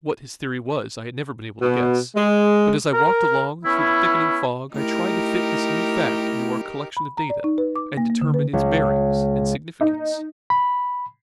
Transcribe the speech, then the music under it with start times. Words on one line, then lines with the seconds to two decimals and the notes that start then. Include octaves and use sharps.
What his theory was I had never been able to guess, but as I walked along through the thickening fog I tried to fit this new fact into our collection of data and determine its bearings and significance.
1.62 B2
2.15 G#3
2.92 A#4
3.64 B3 C#4 E4
4.74 A3 D#4 E4 G4 A#4
6.97 B5
7.17 A#5
7.30 D5
7.44 D#4
7.58 B4
7.76 D6
7.97 A#3
8.10 A#3
8.21 D3
8.34 B4
8.53 C#2
9.81 D#4
10.50 B5